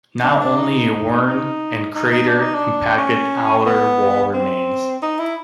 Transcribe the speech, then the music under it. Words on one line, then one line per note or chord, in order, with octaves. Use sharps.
Now only a worn and crater-impacted outer wall remains.
D4
D4
D#4
D#4
D#4
D#4
D4
D#4
D4
C#4
B3
C4
D#4
E4